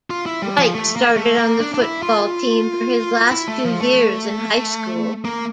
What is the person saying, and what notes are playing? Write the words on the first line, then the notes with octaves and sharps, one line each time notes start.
Reich started on the football team for his last two years in high school.
F4
E4
G3
F3
A3
A#3
A3
A#3
D4
D4
E4
F4
E4
A3
F3
A3
A#3